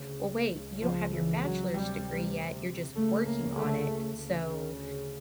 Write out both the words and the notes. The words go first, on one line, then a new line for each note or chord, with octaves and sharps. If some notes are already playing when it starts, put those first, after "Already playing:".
"Well, wait, you don't have your bachelor's degree yet, you're just working on it, so
Already playing: D2 C#3
C#2 C#3 F#3
F3
E3
F#3
D2 C3 G3
C#2 C#3 A3
A#3
A3
D2 C#3